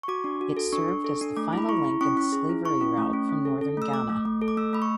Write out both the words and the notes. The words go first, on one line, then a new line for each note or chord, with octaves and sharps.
It served as the final link in the slavery route from Northern Ghana.
C#6
F#4 D6
D4
F#4
A4
D4 C#6
D4
A4
D4
A3 D6
E4 B5
E4 C#6
E4
C#4 C#6
C#4
G#4
E4
E4 C#6
C#4
A3
C#4
C#4
A4
A4
A3 E6
A3 D6
A3
A3
A4
D6
A3 E6
A3 B5
C#6